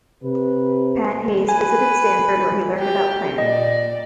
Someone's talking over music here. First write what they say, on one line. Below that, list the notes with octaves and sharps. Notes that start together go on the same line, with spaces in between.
Pat Hayes visited Stanford where he learned about Planner.
C3 B4
B4 G#5
G4
A#2 D5 D#5